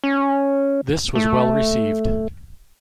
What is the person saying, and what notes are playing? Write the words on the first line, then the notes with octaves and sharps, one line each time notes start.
This was well received.
C#4
A3